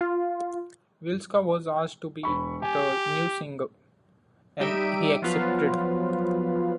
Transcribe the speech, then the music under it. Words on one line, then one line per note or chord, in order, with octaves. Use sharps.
Wilska was asked to be the new singer, and he accepted.
F4
E1 B5 C#6
G4 G#5
G3 D#4 G4 E5 D7 D#7
F3 F#3 B3 F4 B4